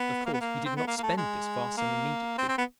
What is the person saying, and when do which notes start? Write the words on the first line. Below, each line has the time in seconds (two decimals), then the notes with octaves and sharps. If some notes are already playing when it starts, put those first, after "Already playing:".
Of course, he did not spend this vast sum immediately.
Already playing: B3
0.26 A#3
0.33 B3
0.41 A#3
0.66 C4
0.77 B3
0.87 A#3
0.98 A#3
1.03 A3
1.18 G#3
1.77 A#3
2.38 C4
2.48 C4
2.58 B3